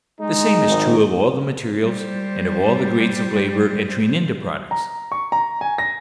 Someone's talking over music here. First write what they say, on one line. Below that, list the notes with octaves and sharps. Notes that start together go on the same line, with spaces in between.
The same is true of all the materials and of all the grades of labor entering into products.
G#3 D#4
G#1
G3 C5
A#5
C#6
A#5
G#5
A#6